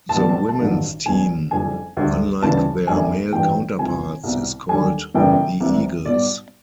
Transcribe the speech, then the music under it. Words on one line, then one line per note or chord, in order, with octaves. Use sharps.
The women's team unlike their male counterparts is called the 'Eagles'.
A5
E2 B2 G3
A5
A5
A1 G2 D#3 F#3
E1 E2 B2 G#5
F#1 F2 D3 G3 G#5
D2 D3 G3
D2 C#3 E3 G3 A5
G1 F#2 D3 G3 G#5
A1 G2 E3 G5
C2 C3 F3 G#5
C2 B2 G3
D#2 D3 G3 G#5
G1 F#2 C#3 E3 G3 G5
C2 C3 E3 G3
B1 B2 G3 D5